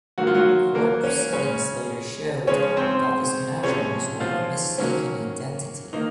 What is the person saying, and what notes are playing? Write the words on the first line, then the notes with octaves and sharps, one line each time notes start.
Court proceedings later showed that this connection was one of mistaken identity.
D#3 F#3 A#3 F#4
F4
F#3 F#4
A#3 A#4
C#4 C#5
C#3 G#3 C#4 C#5
C#3 F3 G#3 C#4 C#5
C4 C5
C3 F3 G#3 C#4 C#5
F3 F4
D#3 F#3 A#3 C#4
D#3 A#3 D#4